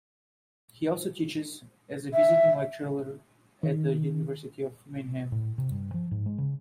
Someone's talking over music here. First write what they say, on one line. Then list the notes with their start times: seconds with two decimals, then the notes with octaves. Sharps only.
He also teaches as a visiting lecturer at the University of Mannheim.
2.14 E5
3.63 D#3
5.32 A2
5.58 C3
5.71 G2
5.94 F3
6.11 G#2
6.26 G#3
6.38 C#3